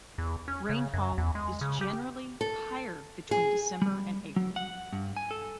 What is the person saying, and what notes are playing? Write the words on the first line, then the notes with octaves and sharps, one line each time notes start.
Rainfall is generally higher between December and April.
E2
C#4
C#3
F#2
E2
G#3
C#3
G4
A4
G#4
G3
F#3
F#5
G2
G#5
A4